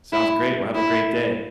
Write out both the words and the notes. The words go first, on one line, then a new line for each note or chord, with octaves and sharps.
Sounds, great, well, have a great day.
E4
E4